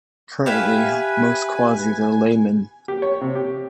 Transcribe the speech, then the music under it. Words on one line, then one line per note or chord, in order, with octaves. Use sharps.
Currently most Quazis are laymen.
G4 B4 E5 F5 G#5
G4
C#5
C3
G4